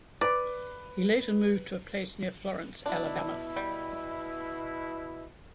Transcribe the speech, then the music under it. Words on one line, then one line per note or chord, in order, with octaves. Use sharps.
He later moved to a place near Florence, Alabama.
B4 D5
B2 D4 E4
G3